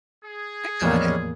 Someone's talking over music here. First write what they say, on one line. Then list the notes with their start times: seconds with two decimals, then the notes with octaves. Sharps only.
I got it.
0.24 G#4
0.82 E2 A2 F3 G3 G#3 A#3 C#4